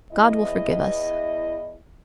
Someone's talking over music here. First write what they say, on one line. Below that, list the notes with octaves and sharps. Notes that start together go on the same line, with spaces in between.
God will forgive us.
E2 E4 D#5